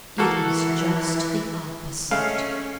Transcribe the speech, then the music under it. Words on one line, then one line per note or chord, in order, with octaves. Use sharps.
It is just the opposite.
E3 A#3 F#4 A4
G#3 A3 C#4 F5